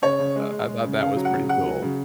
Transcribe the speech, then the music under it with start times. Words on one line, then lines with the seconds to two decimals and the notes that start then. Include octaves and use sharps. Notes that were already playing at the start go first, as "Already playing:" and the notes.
Uh, I thought that was pretty cool.
0.02 C#3 C#5
0.19 C#3
0.36 G#3
0.51 G#3
0.68 G#3
0.85 C#3
1.00 C#3 F5
1.17 F#3
1.25 F#5
1.33 C#3
1.49 F#3 F#5
1.66 F#3
1.82 C#3